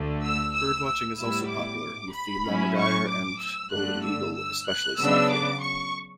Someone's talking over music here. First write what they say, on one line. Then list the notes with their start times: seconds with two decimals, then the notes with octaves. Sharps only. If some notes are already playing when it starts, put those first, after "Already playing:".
Birdwatching is also popular, with the lammergeier and golden eagle especially sought for.
Already playing: D2 D3 A3
0.24 E6
0.55 E6
0.88 E6
1.19 A2 G3 B3 E4 E6
1.51 D6
2.14 B5
2.46 A2 F#3 C#4 E4
2.78 C#6
3.09 D6
3.41 E6
3.73 G2 D3 A3 D4 F#6
4.04 E6
4.36 E6
4.68 F#6
5.00 C#3 F#3 B3 D4 E6
5.31 D6
5.63 C#6